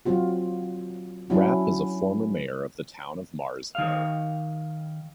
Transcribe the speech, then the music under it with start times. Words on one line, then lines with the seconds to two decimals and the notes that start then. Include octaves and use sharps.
Rapp is a former Mayor of the town of Mars Hill.
0.05 F#3 C4 F4 F#4
1.30 F#3 C#4 D4 E4 F#4
3.75 D#3 F5